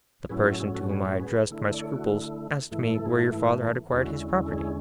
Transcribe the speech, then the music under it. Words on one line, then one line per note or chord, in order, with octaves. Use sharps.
The person to whom I addressed my scruples asked me where your father had acquired his property?
A2 F#3 C#4 E4 G#4 B4
F#4 A4
E4 G#4
F#4 A4
G#4 B4
G#4 B4
G#4 B4
D3 A3 E4
D5
A4 C#5
F#4
G#2 E3 A3 E4
A4
G#4
F#4
E4
E2 D3 G#3 C#4 E4 F#4
A4
E4 G#4